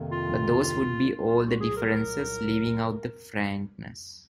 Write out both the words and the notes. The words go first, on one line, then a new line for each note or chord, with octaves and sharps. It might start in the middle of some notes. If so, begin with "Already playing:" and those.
But those would be all the differences, leaving out the frankness.
Already playing: F2 C3 D#3 A#3
F4
C2 A#2 F#3 F4
F#4
G#4
A#4